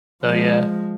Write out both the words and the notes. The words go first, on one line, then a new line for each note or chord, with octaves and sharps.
So, yeah.
F3 G#3